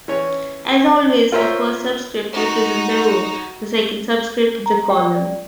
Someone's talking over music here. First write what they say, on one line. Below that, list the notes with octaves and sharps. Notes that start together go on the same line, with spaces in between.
As always, the first subscript represents the row, the second subscript the column.
E3 C#4 C#5
F4 A#4 C5 C#5 E5
D#4 F#4
A#5
G5
D5